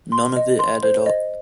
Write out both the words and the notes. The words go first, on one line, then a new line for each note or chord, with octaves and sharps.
None of it added up.
C6
D#5
C6
C5
D#5